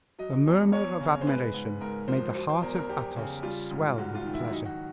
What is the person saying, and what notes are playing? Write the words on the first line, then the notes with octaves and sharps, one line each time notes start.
A murmur of admiration made the heart of Athos swell with pleasure.
F#3 D#5
E2
E2 C#5
C#3
C5
G#3 B4
G#2
G#2 A#4
F3 C5
F#3 C5
C5
E2 A#4
A#4
E2 G4
C#3
G3 F4
G#2
G#2 F#4
F4
D#3
E4
F#3 D#4
F#4